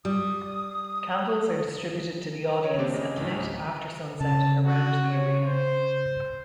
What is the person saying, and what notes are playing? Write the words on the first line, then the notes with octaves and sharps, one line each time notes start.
Candles are distributed to the audience and lit after sunset around the arena.
G3 D#6
C#5 D#5
A#3 C4 D4 G4 D5
C#3 D#5
A1 D2
C#3 A5
F#4
C#5
C5